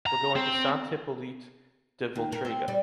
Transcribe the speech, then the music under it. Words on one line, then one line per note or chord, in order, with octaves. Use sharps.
We’re going to Sant Hipòlit de Voltregà.
A#5
C4
D#2
A#4
C4
G3